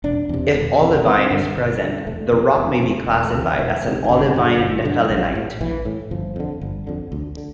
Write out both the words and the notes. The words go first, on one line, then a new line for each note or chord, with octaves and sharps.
If olivine is present, the rock may be classified as an olivine nephelinite.
E1 D4
E2 C3
E1
E2 C3
D4
G1 C4
G2 D3
G1
G2 D3
F1 A3
F2 C3
F1
F2 C3
E1
A3
D2 C3
F3
E1 E3
D2
C3
E3
G1 D3
G2 D3
G1
G2 D3
A#1
A2
A#1 E3
A2
G1 F3
F2 D3
G1
F2 D3
D2
D3